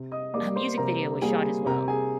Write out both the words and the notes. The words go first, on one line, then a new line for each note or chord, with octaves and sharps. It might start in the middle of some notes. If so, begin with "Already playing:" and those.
A music video was shot as well.
Already playing: C3
D#5 D#6
G3 A#3 D5 D6
C5 C6
C3 A#4 A#5
G3 A#3 G#4 G#5
C3 A#4 A#5
G#4 G#5